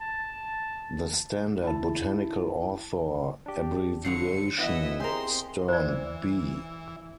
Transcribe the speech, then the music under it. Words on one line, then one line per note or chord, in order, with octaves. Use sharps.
The standard botanical author abbreviation Sternb.
A5
E4 A5
D4 G4
G2 D3 F#3 C7 C#7
E3 F#3 B3 E4 D#5 E5
C4 G4 G#4 A#4 C5 A#5 C6
E3 C5 D5